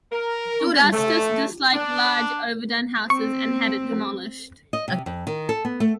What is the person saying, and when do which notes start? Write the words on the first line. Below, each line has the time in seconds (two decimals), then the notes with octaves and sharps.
Augustus disliked large overdone houses and had it demolished.
0.12 A#4
0.93 A3
1.73 D4
3.10 C4 C#6
4.73 D#5
4.88 C3
5.06 F2
5.27 D#3
5.49 A4
5.65 B3
5.80 A3